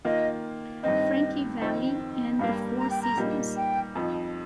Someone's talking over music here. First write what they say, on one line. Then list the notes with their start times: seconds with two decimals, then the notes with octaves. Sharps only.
Frankie Valli and the Four Seasons.
0.05 D#3 A#3 F4 D#5
0.83 G2 D#3 C4 D#4 D#5
1.61 F2 D#3 C4 D#4
2.39 G2 G3 A#3 F5
2.78 A#5
2.90 G5
3.02 A#5
3.17 A#2 G3 A#3 D#4
3.56 G5
3.95 F2 F3 D#4